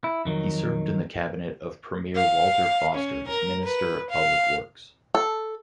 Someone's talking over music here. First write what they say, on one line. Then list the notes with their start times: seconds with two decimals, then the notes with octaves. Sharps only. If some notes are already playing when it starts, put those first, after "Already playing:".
He served in the cabinet of Premier Walter Foster as Minister of Public Works.
0.04 E4
0.25 F2 D#3 F#3
2.16 F5
2.94 C#4
3.28 A#4
3.63 B4
4.10 F5
5.15 A4